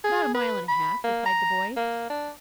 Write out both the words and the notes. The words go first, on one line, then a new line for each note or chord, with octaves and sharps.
"About a mile and a half," replied the boy.
G#4
B4
B5
A#3
A#5
A#3
D4